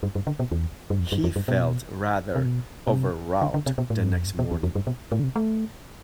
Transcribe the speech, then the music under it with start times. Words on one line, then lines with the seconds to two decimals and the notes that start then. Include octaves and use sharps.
He felt rather overwrought the next morning.
0.03 G2
0.15 G2
0.27 D3
0.39 B2
0.51 E2
0.90 G2
1.00 F2
1.12 G2
1.24 F2
1.36 G2
1.48 B2
2.35 C3
2.45 B2
2.88 B2
2.93 C3
3.41 D3
3.54 D3
3.66 C3
3.78 B2
3.90 A2
4.02 G2
4.14 F2
4.26 G2
4.39 B2
4.51 E2
4.63 F2
4.75 G2
4.87 B2
5.12 A2
5.20 D3
5.24 C3
5.36 A3